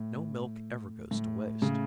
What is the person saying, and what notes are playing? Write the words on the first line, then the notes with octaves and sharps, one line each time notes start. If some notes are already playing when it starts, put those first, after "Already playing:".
No milk ever goes to waste.
Already playing: A2
A2
A2 C#3